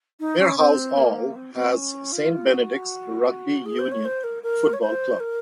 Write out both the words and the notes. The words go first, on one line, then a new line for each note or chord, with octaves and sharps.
Mirehouse all has St Benedicts Rugby Union Football Club.
D#4
C#4
C4
A#3
C4
C4
C#4
F4
F#4
G#4
C5
C#5
C5
A#4
A#4
C#5
C5
A#4